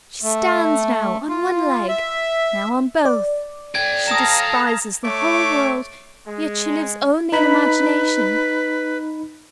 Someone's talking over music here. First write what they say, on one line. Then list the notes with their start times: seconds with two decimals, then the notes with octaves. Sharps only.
She stands now on one leg, now on both; she despises the whole world; yet she lives only in imagination.
0.23 A3
1.29 F4
1.88 E5
3.05 D5
3.75 A4 G5 G#6
4.08 F5 A5 A#5 D#6 E7
5.05 A3 C#5 D6
6.26 G#3
7.32 D#4 B4 B5